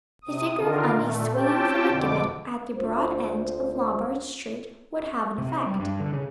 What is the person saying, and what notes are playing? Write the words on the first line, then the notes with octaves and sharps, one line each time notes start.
The figure of Undy swinging from a gibbet at the broad end of Lombard Street would have an effect.
C3 D#6
D3 D#3 F4 A#4
A#2 A3
C4 C#4 G4 G5 A5
F2 B2 D3 D6
D2 A#3 F4 C5
C3
G3
G2
D3
C#3